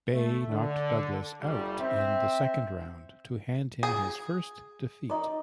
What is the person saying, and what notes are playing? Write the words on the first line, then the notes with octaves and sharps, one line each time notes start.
Bey knocked Douglas out in the second round to hand him his first defeat.
A3
D3
F#1 G3
C4 E5
G#4
D#4 D5